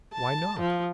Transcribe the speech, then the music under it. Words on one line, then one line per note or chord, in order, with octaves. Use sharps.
Why not?
A5
F3